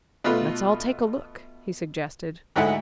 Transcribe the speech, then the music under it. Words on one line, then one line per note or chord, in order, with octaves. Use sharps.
"Let's all take a look," he suggested.
B2 A3 F4 B4
D2 G#2 A3 D#4 E4 F#5